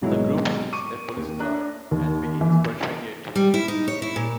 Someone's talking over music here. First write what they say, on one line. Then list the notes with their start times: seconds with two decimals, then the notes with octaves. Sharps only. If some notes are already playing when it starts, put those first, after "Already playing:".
The group sees a police car and begins pursuing it.
0.02 G#1 B2 F#3 G#3 E4 C#5
0.73 C#6 D6 D#7
1.16 D#2
1.39 D4 A#5 F#6
1.91 D#2
2.41 E3
3.36 G3
3.54 E4
3.68 D#4
3.88 C#5
4.02 E4
4.16 A#2